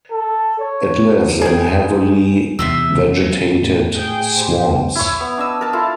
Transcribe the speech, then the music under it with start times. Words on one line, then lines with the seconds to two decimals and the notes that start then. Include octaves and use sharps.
It lives in heavily vegetated swamps.
0.12 A4
0.60 C#5
1.41 G#4 G5 G#5
2.59 E2 C3 E5 C6 E6
3.20 F#3 A#3
3.63 A2
3.96 G#4 G5
4.37 G4 C5
4.95 E4 C#5
5.20 B3
5.38 D4 D#5 E6
5.61 A#4 A5
5.73 E4 F4 A4 F5